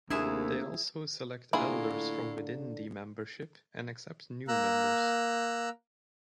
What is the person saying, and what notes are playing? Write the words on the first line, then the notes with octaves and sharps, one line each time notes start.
They also select elders from within the membership and accept new members.
D#2 C3 A3 A#3 D4 E4 G#4 E5
A2 D3 A#3 E4 F4 G#4
A#3 A#5 E6 F#6